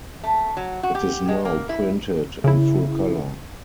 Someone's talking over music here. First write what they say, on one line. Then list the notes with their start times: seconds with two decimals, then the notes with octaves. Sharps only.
It is now printed in full colour.
0.24 A3
0.57 F#3
0.83 F#4
0.95 G4
1.28 G#3
1.45 A#3
1.69 E4
2.44 C#3 E4